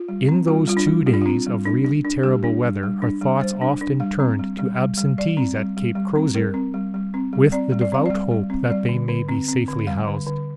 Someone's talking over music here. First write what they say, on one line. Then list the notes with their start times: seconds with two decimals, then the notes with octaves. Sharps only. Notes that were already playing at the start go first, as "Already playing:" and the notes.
In those two days of really terrible weather our thoughts often turned to absentees at Cape Crozier with the devout hope that they may be safely housed.
Already playing: F4
0.08 G3
0.29 C4
0.48 G3 F4
0.67 G3 F4
0.77 D4
0.87 G3
1.06 G3 F4
1.14 D4
1.22 C4 F4
1.46 G3
1.65 D4
1.84 D4
2.05 D4
2.23 G3 G4
2.44 D4
2.63 G3
2.83 G3
3.02 D4
3.21 G3
3.41 G3 C5
3.62 D4
3.81 D4
4.00 G3 F5
4.20 C4
4.39 G3
4.59 G3
4.78 G3
4.98 G3
5.18 G3 D5
5.37 C4
5.57 G3
5.77 G3
5.95 G3
6.16 C4
6.35 G3 A#4
6.54 C4
6.74 G3
6.94 G3
7.14 C4
7.33 G3
7.52 C4 D5
7.72 G3
7.81 D5
7.92 C4 F5
8.06 G3 D5
8.31 G3
8.50 C4
8.70 G3 D5
8.89 D3
9.08 D3
9.29 C4
9.48 C4
9.68 D3
9.87 G3 F5
10.07 D3
10.27 D3